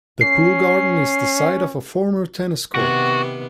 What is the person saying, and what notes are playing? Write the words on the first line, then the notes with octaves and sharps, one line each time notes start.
The pool garden is the site of a former tennis court.
C#4 C7
C3 D#3 B3 F#4